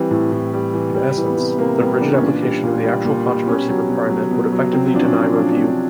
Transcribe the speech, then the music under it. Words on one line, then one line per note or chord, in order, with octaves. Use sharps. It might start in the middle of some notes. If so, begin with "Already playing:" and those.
In essence, the rigid application of the actual controversy requirement would effectively deny review.
Already playing: E3 G3 C4
A2
A2
G3
E3
G3
E3
B3
C3
C3 A#3
G3 B3
E3 D4
C#4
A#2 D4
G3
A#2
G3
A#2
G3
B2 C#4
F#3
B2
F#3
B2
F#3
C3 C4
F3 D4
C#4
C3
F3 D4
D4
C3
D4